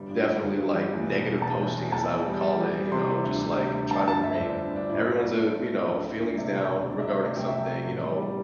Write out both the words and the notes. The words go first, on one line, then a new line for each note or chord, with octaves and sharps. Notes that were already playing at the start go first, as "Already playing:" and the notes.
definitely, like, "negative posting" as I would call it, you know, just, like, try to bring everyone's, uh, you know, feelings down regarding something, you know,
Already playing: G1 G3
G2
G1
G1
G2
G3
E2
E1
E1
E1 A5
E2
E2
E2 A5
E2
G3
G3
E2
G3
C3 C6
E3
D2
D2
C3
D2
G2 A5
G1 A5
G1 E5
C5
G1 D5
G1
G2 D4
A1 E4
A3
D5
A1
A3
A3
A2
D2
D2
D2
D5
C3 E5
E1
A4
D2
C3 D5
E5
C3
D5
A3 E5
C2 G5
E5
C2
G5
C3
A1
G3
G3